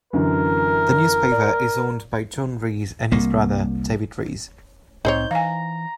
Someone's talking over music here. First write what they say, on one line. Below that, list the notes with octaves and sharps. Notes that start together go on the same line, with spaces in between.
The newspaper is owned by John Raese and his brother David Raese.
F#2 D3 E3 A#4
D5
C2 A#3
C2 A2 C4 D#4 C5 C#5 G6
E3 F5 G#5 A#5